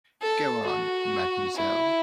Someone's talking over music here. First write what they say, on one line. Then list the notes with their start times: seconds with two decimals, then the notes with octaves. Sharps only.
Go on, Mademoiselle.
0.22 A4
0.66 F#4
1.56 E4